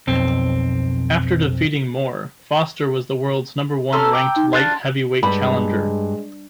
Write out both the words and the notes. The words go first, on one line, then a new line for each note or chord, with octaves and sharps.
After defeating Moore, Foster was the world's number one ranked Light Heavyweight challenger.
B1 F2 C4
C#4 A4 A#5 C6 E6 F6
G5 D6
D#4
D4 F4 G#4 C6 F#6 A6
G2 G#3 B5